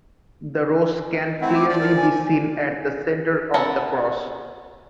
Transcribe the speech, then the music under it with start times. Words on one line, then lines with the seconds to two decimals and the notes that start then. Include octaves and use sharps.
The rose can clearly be seen at the center of the cross.
1.41 A3 C4 E4 F#5
1.55 D6
1.69 F3 F4 D5
1.80 A#4
1.96 G#5
3.54 B3 C#4 A#4 E5 A5